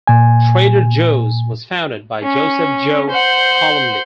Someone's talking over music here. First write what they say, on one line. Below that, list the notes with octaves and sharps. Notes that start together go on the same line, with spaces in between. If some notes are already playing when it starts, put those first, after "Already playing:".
Trader Joe's was founded by Joseph "Joe" Coulombe.
A#2 G#5
C#4
C5 F#5